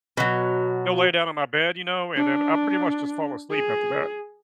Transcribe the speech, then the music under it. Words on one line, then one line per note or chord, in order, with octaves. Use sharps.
go lay down in my bed, you know, and then I pretty much just fall asleep after that.
B2 F#3
D4
G#4